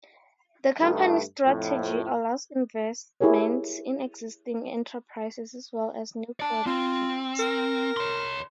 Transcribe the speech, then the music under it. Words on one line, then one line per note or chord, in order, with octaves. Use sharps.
The company's strategy allows investments in existing enterprises as well as new projects.
G2 D#3 A3
F2 A2
E4 G4 G#4 A#4 C#5
D5 A5
C4 F4
A#4
C#5 C6